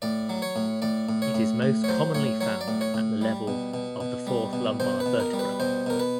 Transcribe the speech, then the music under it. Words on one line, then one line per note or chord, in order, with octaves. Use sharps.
It is most commonly found at the level of the fourth lumbar vertebra.
A2 D5
F#3
C#5
A2
A2 D5
A2
C#5
A2
A2
C#5
F#3 C5
A2 C#5
F#3 C#5
D5
A2
C#5
A2
G3
B2
B2
B2
G3
B2
B2 C5
B4
B2
A#4
G3
B4
B2 C5
B2 A#4
B4